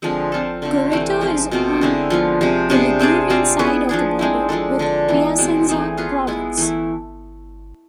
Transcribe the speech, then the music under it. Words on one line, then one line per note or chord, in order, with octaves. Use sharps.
Gorreto is on the Ligurian side of the border with Piacenza province.
D3 F3 G#3 C4
C4 F4 A4
D3 F3 A3 C4
C3 E3 A3 C4
F3 G#3 C4 F4
B2 A3 C4 F4
D3 G#3 C4 E4
F3 B3 F4
C3 F3 G#3
C3 G#3 B3 D4
C4 G#4 D5
G#3 C4 F4
B3 E4 G#4 B4
F3 B3 D4 G#4
G#3 C4 E4
F3 G#3 D4 A4
D3 G#3 D4
E3 B3 E4
B2 G#3 C4
E3 A3 C4 G#4
B3 F4 G#4 B4
G#3 B3 E4
E3 A3 E4